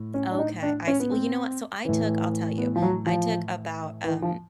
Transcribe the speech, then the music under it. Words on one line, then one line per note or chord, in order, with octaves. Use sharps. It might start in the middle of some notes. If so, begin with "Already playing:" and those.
Okay, I see, well, you know what? So, I took I'll tell you, I took about, um,
Already playing: A2
C#4
D4
D#4
D4
C#4
B3
C4
A2 E3
B3
F3
F#3
F3
E3
F3